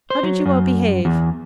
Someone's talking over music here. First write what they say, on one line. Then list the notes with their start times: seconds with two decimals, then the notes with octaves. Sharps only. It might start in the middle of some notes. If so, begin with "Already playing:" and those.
How did you all behave?
0.10 C5
0.23 F#3
0.46 F#2
1.05 E2